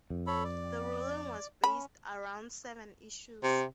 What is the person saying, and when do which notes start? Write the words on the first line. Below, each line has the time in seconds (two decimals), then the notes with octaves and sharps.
The ruling was based around seven issues.
0.10 F2
0.27 A4 C#5 B5
0.44 D5
1.64 C#4 B5
3.43 C3